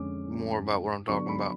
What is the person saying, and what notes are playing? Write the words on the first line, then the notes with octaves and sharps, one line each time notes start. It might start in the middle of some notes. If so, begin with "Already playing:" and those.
more about what I'm talking 'bout,
Already playing: F2 D3 G#3 C#4 D6
D3 F#3 B3 D4 C#6
B5